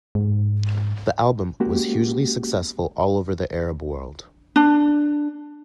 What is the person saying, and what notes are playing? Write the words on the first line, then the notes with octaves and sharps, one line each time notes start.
The album was hugely successful all over the Arab world.
G#2
G#3 A#3 B3 C#4 F#4 G4
D4